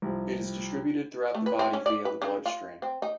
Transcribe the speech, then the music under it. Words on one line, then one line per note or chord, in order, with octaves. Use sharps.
It is distributed throughout the body via the blood stream.
C2 F3
A3
B4
C4
C#4
D5
B4
C#3
F4
C4
D#4